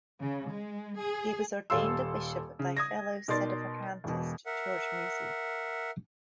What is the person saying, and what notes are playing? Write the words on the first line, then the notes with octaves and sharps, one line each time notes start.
He was ordained a bishop by fellow sedevacantist George Musey.
C#3
G#3
G#4
D#1 A4 F5 C6 E6
C#3
D#6 G#6 A#6
B2 D#4 A#4 D5 C6 A6
E1 B2
A#4 E5 F#5